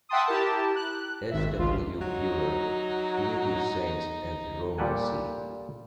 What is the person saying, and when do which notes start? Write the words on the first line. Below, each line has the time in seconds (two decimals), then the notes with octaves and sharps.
F. W. Puller, "Primitive Saints and the Roman See".
0.09 E5 F#5 G5 A5 C6 D#6
0.27 E4 G4 A#4 A5
0.75 F#6
1.31 G#1 E5
1.58 G#1 C#2 F4
2.01 F#3 D#4
4.78 A#2 G3 G4 A4 F#5 G#5